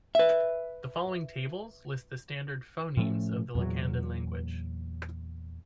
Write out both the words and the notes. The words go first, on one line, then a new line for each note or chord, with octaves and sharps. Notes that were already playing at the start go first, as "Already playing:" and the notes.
The following tables list the standard phonemes of the Lacandon language.
B4 E5
A2 F3 A3 C#4
E2 A#2 F#3